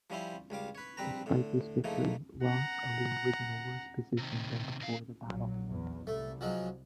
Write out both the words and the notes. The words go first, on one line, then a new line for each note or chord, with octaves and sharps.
Despite this victory, "Ras" Ali was in a worse position than before the battle.
F3 G3 C#4 E4 C5
C#2 G3 F5 D6
B4 C#5
A#1 G3 C4 B4 A#5
A2 D3
C#3 E3 F3 A3 A#3 D#4
F#5 A#5
C3 D#3
B2 F5
A#1 A#2 F#3
E2
C2 A3
F3 F#3 G#3